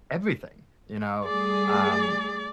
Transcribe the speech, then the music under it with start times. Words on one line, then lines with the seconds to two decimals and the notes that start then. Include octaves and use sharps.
everything, you know? Um,
1.25 G3 A3 G#4 D5